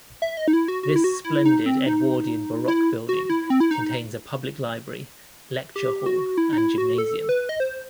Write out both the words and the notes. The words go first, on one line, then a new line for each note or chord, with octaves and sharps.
This splendid Edwardian Baroque building contains a public library, lecture hall and gymnasium.
E5
D#5
D#4
E4
F#4
F#4
E4
F#4
E4
D#4
C4
D#4
E4
F#4
E4
C4
E4
D#4
G4
F#4
E4
D#4
E4
F#4
A4
B4
D#5
C5